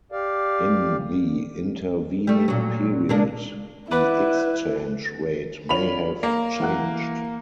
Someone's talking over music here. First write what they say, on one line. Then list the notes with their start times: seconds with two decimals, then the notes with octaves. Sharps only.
In the intervening period the exchange rate may have changed.
0.12 G4 D5 F5
2.27 G3 A3
2.48 A#2 F#3
3.09 G#3 A#3 D4
3.91 E4 B4 D5 F#5 B5
5.69 D4 F4 C#5 B5 F7
6.23 A#3
6.60 E3 F#5 F#6